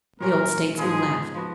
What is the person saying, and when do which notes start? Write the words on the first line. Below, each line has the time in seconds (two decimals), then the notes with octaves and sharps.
The old statesman laughed.
0.20 A#2 F#3 C#4 F#4 A#4
0.78 G#2 F3 G#3 B3 G#4
1.35 F3 B3 F#4